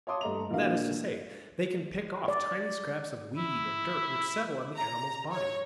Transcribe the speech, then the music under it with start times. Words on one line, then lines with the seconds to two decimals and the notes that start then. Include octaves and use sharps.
That is to say, they can pick off tiny scraps of weed or dirt which settle on the animal's body.
0.07 C#5 F5 A5 C6 D6 D#6
0.21 G2 A3 D#5 A#5 F7
0.50 A#1 E3 A#3 D4 F#4 F5
2.28 D5
3.38 E4
4.77 A#5
5.32 C#5